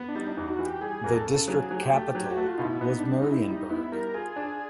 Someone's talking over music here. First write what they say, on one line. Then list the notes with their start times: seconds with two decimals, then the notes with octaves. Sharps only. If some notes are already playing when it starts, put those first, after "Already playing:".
The district capital was Marienburg.
Already playing: B3
0.08 D4
0.15 G3 D#4
0.27 D4
0.32 D#4
0.37 E2
0.48 F#4
0.59 E3
0.65 G4
0.81 G3 G#4
1.04 E2 A#4
1.15 A4
1.26 C#3
1.47 F#3 G#4
1.71 F#3
1.81 G4
1.92 A3
2.15 F#3 G4
2.31 F#4
2.37 A3
2.47 F4
2.58 B2 D#4
2.65 E4
2.81 B3 D#4
2.98 G3 D4
3.15 D#4
3.25 G3
3.31 E4
3.48 G3 D#4
3.69 B3 E4
3.92 G3 A#4
4.14 F4 G#4
4.36 D4